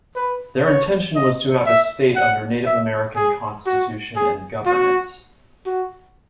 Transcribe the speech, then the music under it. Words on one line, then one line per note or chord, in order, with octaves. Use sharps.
Their intention was to have a state under Native American constitution and governance.
B4
C#5
D#5
E5
F#5
E5
G#4
F#4
G#4
F#4
F#4